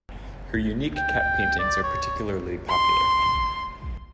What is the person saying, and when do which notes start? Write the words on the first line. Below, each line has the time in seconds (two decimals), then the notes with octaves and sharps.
His unique cat paintings are particularly popular.
0.97 G5
1.59 D5
1.83 C#5
2.69 C6